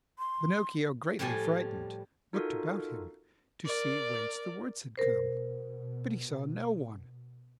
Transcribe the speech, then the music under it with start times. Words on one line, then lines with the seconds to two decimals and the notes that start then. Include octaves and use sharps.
Pinocchio, greatly frightened, looked about him to see whence the words had come, but he saw no one.
0.19 C6
1.19 A2 F3 G3 G4 G#5
2.33 D#4 F4 F#4 A4 A#4
3.65 A#4 D5
4.97 B2 A#4 C5